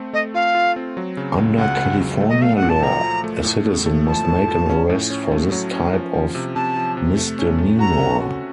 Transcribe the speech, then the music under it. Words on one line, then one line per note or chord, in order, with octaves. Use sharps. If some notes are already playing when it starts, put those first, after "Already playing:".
Under California law, a citizen must make an arrest for this type of misdemeanor.
Already playing: A3 C4
A3 D#5
F4 F5
F4
C4
F#3
C#3
C#2
C#2 F#5
C#3
F#3
A3
D#5
A3 F5
F#5
A#2
A5
F3 A#5
F3
A3
A2
A3
A3
F3 A5
A2
F3
C#4
A2
C#4
A3
F#3
C#4
F3
F3
C3
C3 A5
F3
C3
A3
C#4
A3
F#4 A#5
C#4
F#4